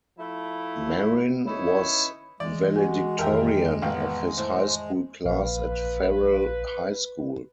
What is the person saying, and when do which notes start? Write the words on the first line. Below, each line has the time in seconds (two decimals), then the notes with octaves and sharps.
Marin was valedictorian of his high school class at Farrell High School.
0.19 F3 A3 E4
1.46 C#4 D#4 E4 B4 C#5
2.40 E3 G#3 D5
2.76 F#4 G#5
3.19 F2 D#3 G4 A#4 E5 G5
3.82 A1 B3 F5 G5
4.38 A2 C5
5.25 A#1 B4 F5